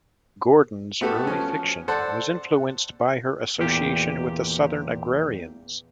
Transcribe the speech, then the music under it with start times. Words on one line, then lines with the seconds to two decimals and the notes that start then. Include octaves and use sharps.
Gordon's early fiction was influenced by her association with the Southern Agrarians.
1.01 A3 B3 F#4 G4 A4 B4
1.27 F3 C#4
1.88 A4 C5 D5 F#5 A5
3.59 E2 A#2 G4